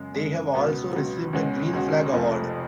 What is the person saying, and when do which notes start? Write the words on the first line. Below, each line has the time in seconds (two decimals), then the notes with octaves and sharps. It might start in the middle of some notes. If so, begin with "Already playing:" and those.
They have also received a Green Flag Award.
Already playing: F#2 C#3 G#3
0.14 F#2 C#3 G#3
0.53 C#2 B2 F#3 B3
0.93 C#2 B2 F#3 B3
1.33 C#2 B2 G#3 C#4 F#4
1.73 C#2 B2 G#3 C#4 F#4
2.13 F1 F2 F3 A3